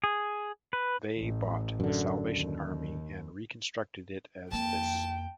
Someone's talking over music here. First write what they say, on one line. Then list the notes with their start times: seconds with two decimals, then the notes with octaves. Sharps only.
They bought the Salvation Army and reconstructed it as this.
0.04 G#4
0.73 B4
1.18 A1
1.80 F#2 D3
2.30 D#2
4.52 F2 A#3 G5 A5